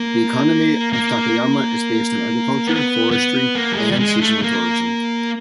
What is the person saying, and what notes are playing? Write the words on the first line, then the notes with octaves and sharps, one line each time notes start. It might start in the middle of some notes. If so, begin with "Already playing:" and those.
The economy of Takayama is based on agriculture, forestry, and seasonal tourism.
Already playing: A#3
A#3
B3
B3
A#3
G3
G#3
G3
G#3
A3
A#3